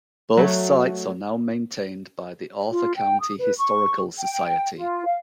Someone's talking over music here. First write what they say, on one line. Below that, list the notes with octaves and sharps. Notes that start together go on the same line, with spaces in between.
Both sites are now maintained by the Arthur County Historical Society.
F#3 A3
F4
G5
D#6
B4
C#6
G5
F4
F5